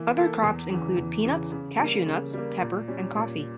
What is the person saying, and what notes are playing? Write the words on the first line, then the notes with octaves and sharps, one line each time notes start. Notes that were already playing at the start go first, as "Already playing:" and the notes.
Other crops include peanuts, cashew nuts, pepper, and coffee.
Already playing: E3 A#3 E4
A#3 E4 A4
E2
C#3 E3
E2
C#3 E3
C#3
G3 A#3
C#3
G3 A#3
A#2
G3 C#4
A#2